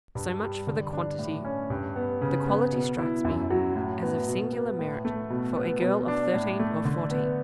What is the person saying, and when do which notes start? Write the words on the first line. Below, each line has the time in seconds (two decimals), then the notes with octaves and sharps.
So much for the quantity; the quality strikes me as of singular merit for a girl of thirteen or fourteen.
0.15 G2
0.41 G3
0.67 D3
0.93 D4
1.19 A2
1.45 C#4
1.70 G2
1.96 B3
2.22 C#3
2.47 B3
2.73 B2
2.99 E4
3.25 F#2
3.50 F#3
3.76 A2
4.02 B3
4.28 B2
4.53 B3
4.79 A2
5.05 A3
5.30 B2
5.56 B3
5.82 B2
6.08 D4
6.34 A2
6.59 A3
6.85 D3
7.11 B3